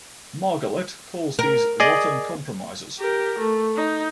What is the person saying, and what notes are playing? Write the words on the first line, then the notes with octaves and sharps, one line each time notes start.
Margalit calls these rotten compromises.
A#4
G#4 D5 D#5
G4 A#4
A3
D#4